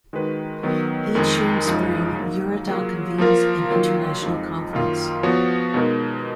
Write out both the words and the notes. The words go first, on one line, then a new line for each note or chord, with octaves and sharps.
Each year in Spring, Eurodoc convenes an international conference.
D#3 G#3 D#4 F#4 B4
D#3 F#3 B3
F2 D#3 G#3 D#4 G#4
F#2 C#3 F3 G#3 D#4
F#3 A#3 D#4
F#3 A#3 F4 G#4
F3 A#3 F4 A#4
D#3 F#3 A#3 F4
F2 F3 G#3 D#4
F#2 D#3 A#3 F4
F3 B3 F#4 C#5
B2 G#3 D#4 A#4